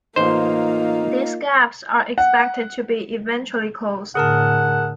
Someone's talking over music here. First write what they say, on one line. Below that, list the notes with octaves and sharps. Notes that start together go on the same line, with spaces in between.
These gaps are expected to be eventually closed.
A1 A#3 D#4 F4 C5
F#5
A2 D3 G#4 A#4 F#5 A5